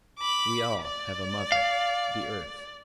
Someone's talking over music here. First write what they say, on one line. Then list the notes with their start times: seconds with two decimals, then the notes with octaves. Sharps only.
We all have a mother,--the earth.
0.18 B5 D6
0.82 D5
1.52 F5